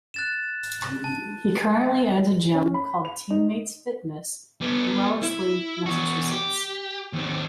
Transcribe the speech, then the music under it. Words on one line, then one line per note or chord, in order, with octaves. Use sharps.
He currently owns a gym called Teammates Fitness in Wellesley, Massachusetts.
F#6 A6 E7
A5
C#4
B5
F7
D#4
G3 B3
E4
E2 F#4
G4
D#2 C4